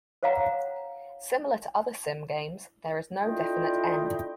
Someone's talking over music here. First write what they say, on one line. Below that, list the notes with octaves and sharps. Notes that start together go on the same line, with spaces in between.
Similar to other Sim games, there is no definite end.
C5 C#5 F5 F#5 A#5
A3 D4 E4 F4 D#5 G5